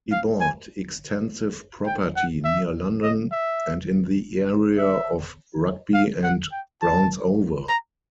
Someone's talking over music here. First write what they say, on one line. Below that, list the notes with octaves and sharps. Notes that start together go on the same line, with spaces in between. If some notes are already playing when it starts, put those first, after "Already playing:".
He bought extensive property near London and in the area of Rugby and Brownsover.
F5
G#5
G5
F#5
E5
D#5
E5
E5
F5
F#5
G5
A5
A#5